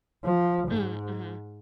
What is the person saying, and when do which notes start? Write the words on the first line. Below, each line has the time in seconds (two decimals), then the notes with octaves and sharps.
Mm, mhm.
0.24 F3
0.68 G#2